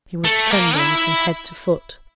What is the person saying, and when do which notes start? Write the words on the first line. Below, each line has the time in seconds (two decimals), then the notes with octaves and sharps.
He was trembling from head to foot.
0.24 A3
0.51 A#3
0.78 E4